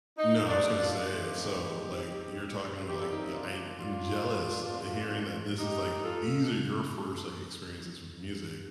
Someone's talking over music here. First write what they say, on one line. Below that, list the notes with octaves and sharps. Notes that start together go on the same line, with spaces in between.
No, I was gonna say, so, like, you're talking about, like, y I I'm jealous hearing that this is, like these are your first, like, experiences with music.
D#4
D4
D4 F4
A2 F3 A3 C4 D#4 G4
F2 C3 G3 A#3 G4
A4
D#4 G4
D4 F4
D4 F4
A#2 A3 C4
D#4 G4
F4 A4